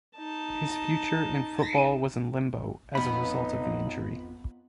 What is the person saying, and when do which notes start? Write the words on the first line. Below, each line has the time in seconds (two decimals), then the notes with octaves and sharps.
His future in football was in limbo, as a result of the injury.
0.17 D#4 A5
2.95 F2 B3 D#4 B5